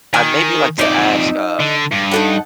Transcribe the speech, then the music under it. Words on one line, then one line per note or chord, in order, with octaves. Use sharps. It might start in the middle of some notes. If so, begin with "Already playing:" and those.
I, maybe, like to ask, um
D#3 G#5
F2 D#4 D5 E5
D3
G2
D#4 A4 F#5